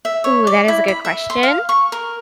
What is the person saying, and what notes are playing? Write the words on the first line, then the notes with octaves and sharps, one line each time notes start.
Ooh, that is a good question.
E5
C#5
D5
E4
B5
E5
C6
F5
C#6
A#4